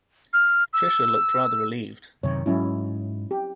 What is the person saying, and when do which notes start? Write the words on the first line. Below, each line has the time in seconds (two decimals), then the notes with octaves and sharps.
Tricia looked rather relieved.
0.33 F6
0.73 E6
2.23 F#2 C3 D#3 C#5
2.46 G#2 F#3 C#4 E4
3.31 G4